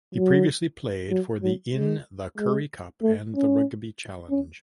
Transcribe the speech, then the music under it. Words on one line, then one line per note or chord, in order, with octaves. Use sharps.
He previously played for the in the Currie Cup and the Rugby Challenge.
F#3
F#3
F#3
G#3
G#3
A3
C#4
C#4